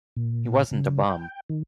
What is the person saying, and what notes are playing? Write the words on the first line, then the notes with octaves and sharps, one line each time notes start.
He wasn't a bum.
A#2
C#3
G5
D#3